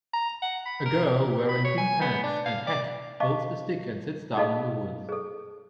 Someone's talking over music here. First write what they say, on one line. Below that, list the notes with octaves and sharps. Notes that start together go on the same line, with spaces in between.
A girl wearing pink pants and hat holds a stick and sits down in the woods.
A#5
F#5
B5
A#4
G4
B5
C#5
G#5
B3
D4
F5
D5
D#5 F5 A5 C#6 D6
D#4 G#4 A4 D#5 F5 A5
G#4 A4